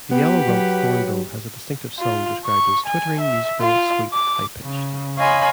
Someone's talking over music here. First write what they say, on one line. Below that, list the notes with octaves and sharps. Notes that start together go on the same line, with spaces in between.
The yellow-rumped thornbill has a distinctive song described as "twittering, musical, sweet, high-pitched".
B3 G4 B4 F#5 B5
F#3
F4
C#6
G#5
E5
F4
D6
C#3
C#5 D#5 F5 G#5 B5 C6